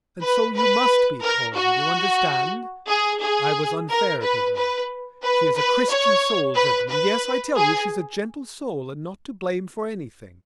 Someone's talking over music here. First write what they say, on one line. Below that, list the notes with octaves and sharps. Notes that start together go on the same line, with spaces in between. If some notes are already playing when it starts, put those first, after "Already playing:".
And so you must be calm, do you understand? I was unfair to her; she is a Christian soul, gentlemen, yes, I tell you, she's a gentle soul, and not to blame for anything.
B4
B4
A#4
F#4
G#4
G#4
A#4
B4
B4
B4
B4
C#5
B4
B4
G#4